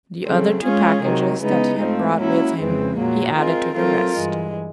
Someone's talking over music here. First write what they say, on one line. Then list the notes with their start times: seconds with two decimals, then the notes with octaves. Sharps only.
The other two packages that he had brought with him he added to the rest.
0.24 C#3 F#3 A3 C4
0.63 G#3 C#4 F4 G#4
1.01 C3 D#3 F#3
1.41 C#3 E3 G#3 B3 D#4
1.80 G#2 F3 A3 C4
2.18 F#3 A#3 C#4 E4
2.58 F2 C#3 E3 G#3 C4
2.97 A#2 F#3 A#3
3.36 G#3 C4 F4 A#4
3.75 F#3 A3 C4 F4 A#4
4.14 G2 E3 G#3